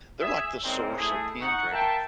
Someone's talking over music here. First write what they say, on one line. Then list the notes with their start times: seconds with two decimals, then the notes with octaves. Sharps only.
they're like the source of pin trading.
0.19 G#4 E5
0.62 G3 G#3 A#3 C4 C#4 D#4
0.95 A3 E4 G#4
1.41 D#4 F#5 C#6
1.72 A#4 E5 F5 G5 A5